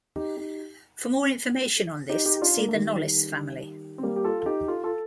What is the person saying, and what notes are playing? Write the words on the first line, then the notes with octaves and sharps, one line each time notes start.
For more information on this, see the Knollys family.
D#4 G4
D#4 G4
D#4 G4
D#4 G4
G4
D4 F4
A#3 D4
A3
D#3 G3
C4
G3 A#3
G4
F4 A4
A4
D#4 G4
F4 A4
F4 A4